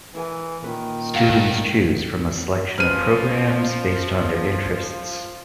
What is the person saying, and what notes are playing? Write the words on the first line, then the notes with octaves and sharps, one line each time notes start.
Students choose from a selection of programmes based on their interests.
E3 E4 A#4 G#5
A#2 D#3 C#4 B4
G2 F#4 F5 F#5
F3 C#4 F4 B4 C5 F6 D#7